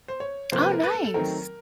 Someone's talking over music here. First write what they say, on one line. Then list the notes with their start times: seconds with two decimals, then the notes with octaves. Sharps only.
Oh, nice.
0.08 C5
0.20 C#5
0.52 C3 F3 A#3 C5
0.62 B4
0.73 A#4
0.83 B4
0.94 A4
1.04 A4
1.14 D#3 F#3 A3 C4 A#4